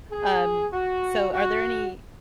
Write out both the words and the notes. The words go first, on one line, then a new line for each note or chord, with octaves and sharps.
Um, so, are there any
G#4
F#4
F#4